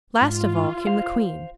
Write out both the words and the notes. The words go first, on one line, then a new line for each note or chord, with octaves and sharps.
Last of all came the Queen.
G#2 F4
C5 F5